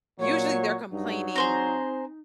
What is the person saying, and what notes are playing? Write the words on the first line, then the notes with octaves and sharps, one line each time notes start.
Usually they're complaining
A#2 F#3 C#5
G2 F#3 D#4
C4 G#4 C5 A#5